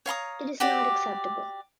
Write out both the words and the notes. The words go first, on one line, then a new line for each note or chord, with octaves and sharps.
It is not acceptable.
C#5 F5 A#5 D#6
F#4 G4 D5